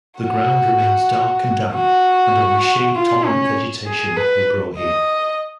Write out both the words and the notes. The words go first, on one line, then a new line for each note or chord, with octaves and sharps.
The ground remains dark and damp and only shade tolerant vegetation will grow here.
F#4
F#4
F4
C#4
G#4
B4
D#5